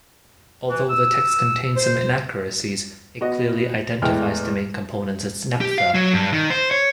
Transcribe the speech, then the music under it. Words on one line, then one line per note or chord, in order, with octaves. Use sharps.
Although the text contains some inaccuracies, it clearly identifies the main component as naphtha.
E3
E6
C5
B3 F#4 D#5
E2 A2 G#3 G5 F6
G4
F5
F#3
G2
D#3
C5
C#5